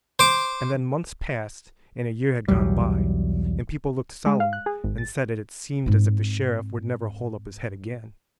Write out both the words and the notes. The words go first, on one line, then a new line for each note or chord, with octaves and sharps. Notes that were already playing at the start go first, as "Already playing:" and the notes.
And then months passed and a year had gone by, and people looked solemn and said that it seemed as if the Sheriff would never hold up his head again.
C5 D6
B1 E2 F#3 G3
G#3
F5
F#6
G#4
G#1
A6
G#2 C4